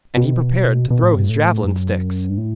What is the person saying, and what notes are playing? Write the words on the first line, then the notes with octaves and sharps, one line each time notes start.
And he prepared to throw his javelin-sticks.
B2
C3
B2
B2
A2
G2
A2
F#2
G2
A2